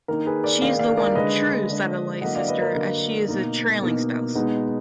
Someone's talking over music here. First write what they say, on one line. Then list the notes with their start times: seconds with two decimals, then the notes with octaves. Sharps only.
She is the one "true" satellite sister as she is a "trailing spouse".
0.08 D#3 A#3 D#4 A#4
0.26 G#4 B4
0.44 A#4 D5
0.61 D#3 A#3 D#4 D5 F5
0.79 D5 F5
0.97 A#4 D5
1.15 D3 G#3 D4 B4 D#5
1.69 D3 G#3 D4
2.22 D3 F#3 A#3 D#5 F#5
2.35 D5 F5
2.48 B4 D#5
2.62 A#4
2.75 D3 F#3 A#3 A#4
3.28 B2 A#3 D#4
3.82 B2 A#3 D#4
4.35 B2 G#3 B3 D#4